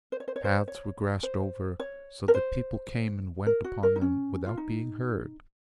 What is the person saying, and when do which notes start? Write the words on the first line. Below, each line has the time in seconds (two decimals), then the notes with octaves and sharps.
The paths were grassed over, so that people came and went upon them without being heard.
0.12 C5
0.20 C#5
0.28 C5
0.36 C#5
0.45 C5
0.68 C#5
1.23 C5
1.80 C#5
2.28 A#4
2.34 C5
3.46 A#4
3.64 F#4
3.83 A#4
3.96 D#4
4.02 C#4
4.46 F4
4.57 D#4